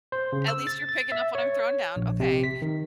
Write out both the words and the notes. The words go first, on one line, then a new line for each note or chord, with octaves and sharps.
at least you're picking up what I'm throwing down, okay.
C5
C#3
E6
A6
A6
E5
C#5
A#1
C3
B6
D#3